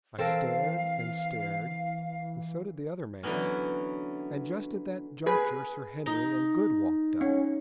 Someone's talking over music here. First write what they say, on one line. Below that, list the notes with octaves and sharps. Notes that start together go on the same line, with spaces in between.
I stared and stared, and so did the other man, and just at that juncture Sir Henry and Good walked up.
E3 C4 A4 A#4 F5
D3 E3 F#3 B3 C#4
G#4 B4
D#4
C#4